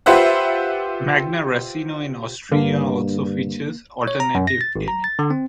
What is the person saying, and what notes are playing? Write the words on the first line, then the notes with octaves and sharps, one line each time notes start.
Magna Racino in Austria also features alternative gaming.
F4 G4 B4 C5 E5 F#5
G2 D3 A#3
C#5
A#5
F#2
A#6
A6
G#1
A#5
A6
D3
C4